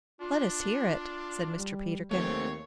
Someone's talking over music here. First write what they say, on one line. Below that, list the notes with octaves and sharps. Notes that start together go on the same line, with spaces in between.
"Let us hear it," said Mr. Peterkin.
D4 F4
G3
D#2 A3 C4 C#5